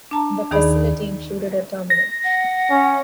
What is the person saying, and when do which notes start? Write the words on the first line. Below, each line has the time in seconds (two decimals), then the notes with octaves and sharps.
The facility included a terminal.
0.11 D4 A5 A#5
0.51 D#2 D#3 D#4 G#4 D5 B5
1.90 A#6
2.24 F#5
2.70 C#4